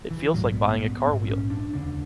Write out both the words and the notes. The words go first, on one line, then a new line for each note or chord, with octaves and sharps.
It feels like buying a car wheel.
E3
A#1 G#2 F#3
B3
A#3
B3
A#1 G#2 C4
C#4
D4
E1 D2 C#3 D4